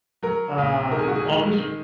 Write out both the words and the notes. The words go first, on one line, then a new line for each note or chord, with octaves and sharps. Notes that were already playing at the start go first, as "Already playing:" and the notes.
um August
F#3 A#4
A#1
D#3 A#4
G#4
F#4
G#4
G#3
D#3